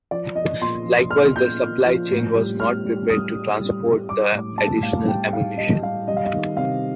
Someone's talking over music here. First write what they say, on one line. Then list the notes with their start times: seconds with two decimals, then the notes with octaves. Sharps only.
Likewise, the supply chain was not prepared to transport the additional ammunition.
0.11 F3 D5
0.36 F3 D#5
0.61 A#2 C6
0.86 F3
1.11 A#2 F6
1.36 A#2 G6
1.60 A#2
1.85 F3
2.11 A2
2.34 G3
2.60 A2 F6
2.85 G3
3.09 G3 D#6
3.34 G3
3.59 G3
3.84 G3
4.09 G3 D6
4.34 A2
4.58 G3 A5
4.83 A2 F5
5.08 G3 G5
5.33 A2 F5
5.57 G3 D#5
5.82 G3 F5
6.08 G3 D#5
6.17 F5
6.25 D#5
6.33 D#3
6.57 C3 F5